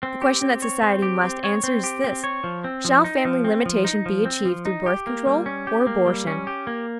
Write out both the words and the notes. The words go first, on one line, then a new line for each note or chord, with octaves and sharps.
The question that society must answer is this: Shall family limitation be achieved through birth control or abortion?
C4
G4
C4
C#5
C4
G4
C4
C#5
C4
G4
C4
C#5
F3
C4
F3
D#4
F3
C4
F3
D#4
F3
C4
F3
D#4
G4
A#3
G3
C#4
G4
A#3
G3
C#4
G4
A#3